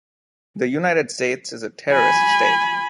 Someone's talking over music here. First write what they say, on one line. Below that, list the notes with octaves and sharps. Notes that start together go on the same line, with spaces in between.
The United States is a terrorist state.
G#5 B5